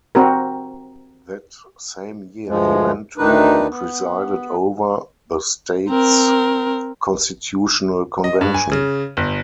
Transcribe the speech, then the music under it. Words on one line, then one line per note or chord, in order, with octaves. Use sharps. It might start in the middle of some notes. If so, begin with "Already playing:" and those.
That same year he went to, and presided over, the state's constitutional convention.
C4 F#4 A#4
D2 G2 F3 G#3
D2 D#3 D4 D#4 B4
B3
C4 A#4
D#5
G2
G#5
C#3
G1